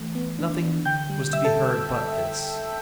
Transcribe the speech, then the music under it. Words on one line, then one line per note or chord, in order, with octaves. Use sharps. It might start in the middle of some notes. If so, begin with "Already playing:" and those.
Nothing was to be heard but this.
Already playing: E3 A3
B3
D4
D4
D3 G5 G6
G3
G3 E5 E6
A4 A5